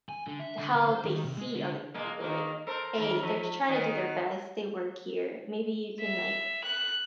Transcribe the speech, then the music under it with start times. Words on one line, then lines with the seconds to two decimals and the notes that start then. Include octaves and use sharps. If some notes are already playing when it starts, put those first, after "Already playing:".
how they see other people, like, "Hey, they're trying to do their best, they work here, maybe you can, like,
0.09 G#5
0.27 D3
0.39 E5
0.58 D3
0.74 D3
0.89 C5
1.05 D#3
1.25 C3
1.37 G#3
1.55 D3
1.94 B2 G#3 A#3
2.20 D#3 A#3
2.67 A4 A#4 C5
2.98 D#2 A#4
3.23 F3
3.69 D#3 B3
6.01 E5
6.64 F#6